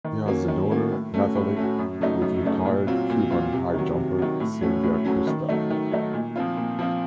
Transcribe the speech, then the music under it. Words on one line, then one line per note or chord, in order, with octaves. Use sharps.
He has a daughter, Nathalie, with retired Cuban high jumper Silvia Costa.
D#3
F#3 A#3 C#4
D#3
F#3 A#3 C#4
A2
A3 C#4 F#4
A2
A3 C#4 F#4
F#2
C#3 F#3 A3 D#4
F#2
C#3 F#3 A3 D#4
A#2
F#3 C4 F4
A#2
F#3 C4 F4
C3
D#3 F#3
C3
D#3 F#3
A2
F#3 A3 C#4
A2
F#3 A3 C#4
D#3
F#3 A3 D#4
D#3
F#3 A3 D#4
A#2
F3 C4 F4
A#2
F3 C4 F4